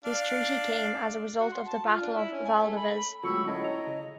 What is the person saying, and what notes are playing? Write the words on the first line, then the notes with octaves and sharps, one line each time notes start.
This treaty came as of a result of the Battle of Valdevez.
D4 F5
F#4
C6
A5
F4
D4
E4
C#4
G#5
A3
B5
B5
A2 D3 F#3 G#3 A#3 B5 C#6 E6
C#4 E4 A4 C#5 D#5
A#5
C#3